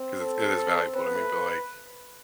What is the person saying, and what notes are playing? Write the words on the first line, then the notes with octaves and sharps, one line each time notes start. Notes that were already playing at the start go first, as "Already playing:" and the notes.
'cause it's it is valuable to me, but, like,
Already playing: C4
A4
C4 B4
B3
A3